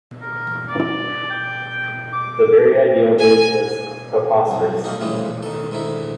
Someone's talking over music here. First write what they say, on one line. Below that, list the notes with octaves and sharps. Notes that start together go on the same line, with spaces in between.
The very idea of it was preposterous.
A#4
D5
G5
D6
G#5
C2 F#2
G3 A3 A#3 D#4
A#1 A2 C#3 E3 G3 G#3
D#3 A4
G#2 D3 D#3 E4